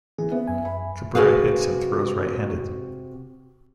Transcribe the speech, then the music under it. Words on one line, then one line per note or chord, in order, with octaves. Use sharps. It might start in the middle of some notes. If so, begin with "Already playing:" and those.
Cabrera hits and throws right-handed.
E3 G#4
B3 E5
F#2 G#5
B5
C3 F#4 G#4 B4 F5